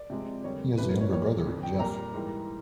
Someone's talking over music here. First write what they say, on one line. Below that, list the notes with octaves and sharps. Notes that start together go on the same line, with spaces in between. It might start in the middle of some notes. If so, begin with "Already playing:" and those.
He has a younger brother, Jeff.
Already playing: D5
C3 F3 G#3
F2 D3 G3 A#3 C#5
E2 C#3 E3 A3 B4
A#4
C#5
A#2 G3 A#3 C#5
F2 D3 F3
G5
A#2 G3 A#3 A#5
G#2 E3 G3 A#3